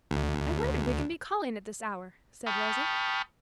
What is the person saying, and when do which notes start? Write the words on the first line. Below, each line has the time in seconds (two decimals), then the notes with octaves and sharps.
"I wonder who can be calling at this hour," said Rosa.
0.11 D2
2.46 G5 A5 B5 C#6 D#6 F6